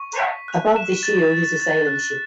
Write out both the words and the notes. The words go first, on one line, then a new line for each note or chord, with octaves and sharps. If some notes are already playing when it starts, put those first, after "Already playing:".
Above the shield is a sailing ship.
Already playing: C#6
B6
F#6
E7
A6
A6
A6
F#6